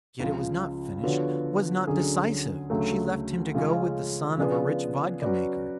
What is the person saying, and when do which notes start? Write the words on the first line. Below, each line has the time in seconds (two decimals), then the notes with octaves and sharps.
Yet it was not finished, was not decisive. She left him to go with the son of a rich vodka-maker.
0.20 C#2 C#3 F3
1.03 D3 F3 B3 F#4 C#5
1.87 D2 D3 F#3 C#4 G#4
2.70 D2 C#3 F#3 A3
3.55 C#3 F3 G#3 C#4
4.38 C#3 F3 B3 D4 G#4
5.22 F#3 C#4 F#4 B4 D5